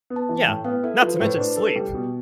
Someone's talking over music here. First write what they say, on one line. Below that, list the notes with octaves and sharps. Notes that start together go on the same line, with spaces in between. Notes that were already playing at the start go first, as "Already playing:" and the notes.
Yeah, not to mention sleep.
B3
A5
E3
G5
A2
B3 F5
E4 A4
F3 B4
C5
A2 B4
D4 B4
A4
G3
B2